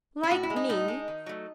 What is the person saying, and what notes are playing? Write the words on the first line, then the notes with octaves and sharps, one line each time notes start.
Like me!
E4
A2 F#4
E4
G#3
D#4
A2 D#4
G#3
D#3
F#3 A3